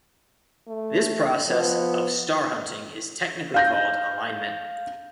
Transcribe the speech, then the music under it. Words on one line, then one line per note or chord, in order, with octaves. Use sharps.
This process of star-hunting is technically called alignment.
A3
F3 B3
F5 G6 A#6